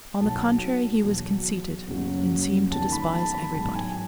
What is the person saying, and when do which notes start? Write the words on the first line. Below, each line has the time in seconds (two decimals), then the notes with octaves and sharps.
On the contrary, he was conceited and seemed to despise everybody.
0.20 B1 B2 F#3 A5
1.03 E2 B2 F#3
1.88 F#1 F#2 C#3 F#3
2.71 E1 E2 D#3 A5
2.92 B5
3.13 A5
3.34 B5
3.54 A1 G#2 F#3 A5
3.75 G#5